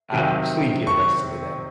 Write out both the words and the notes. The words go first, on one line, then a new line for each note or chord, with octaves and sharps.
I don't sleepy the rest of the day.
C3 D#3 F#3 C4
C#6